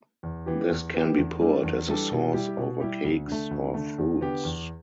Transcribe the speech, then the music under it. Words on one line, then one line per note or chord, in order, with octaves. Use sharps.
This can be poured as a sauce over cakes or fruits.
E2
E3 B3 G4
E2
E3 B3 G4
E2
E3 G3 D4 A4
E2
E3 G3 D4 A4
B2
G3 E4 G4
B2
G3 E4 G4
D2
D3 A3
D2
D3 A3
E2
D3 B3 G4
E2